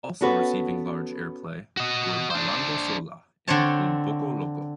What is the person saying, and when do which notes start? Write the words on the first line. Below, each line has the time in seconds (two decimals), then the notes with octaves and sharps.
Also receiving large airplay were "Bailando Sola" and "Un Poco Loco".
0.21 B3 C#4 F#4 A4 B4
1.77 F#4 D#5
2.30 D4 C5
3.47 D3 C4 D4 C5 C#5 A5